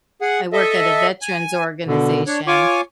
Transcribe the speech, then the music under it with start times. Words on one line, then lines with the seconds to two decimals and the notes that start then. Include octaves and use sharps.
work at a veterans organization,
0.22 G#4 F#5
0.53 A4 D#5 E5
1.22 G#5
1.87 B2 D3
2.27 D4 C#5
2.47 F4 C#5 G#5 C#6 D6